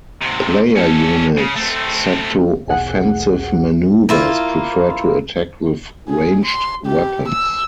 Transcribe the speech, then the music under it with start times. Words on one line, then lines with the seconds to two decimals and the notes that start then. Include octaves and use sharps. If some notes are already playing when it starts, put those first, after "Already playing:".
Player units set to offensive maneuvers prefer to attack with ranged weapons.
0.22 G#2 C3
0.77 C#4 A4
1.38 C#3
1.56 A3 C4
2.67 B1 E2 G#4 F#5
4.09 A#3 E4 F4
6.08 G#4
6.45 C6
6.86 G4
7.28 E6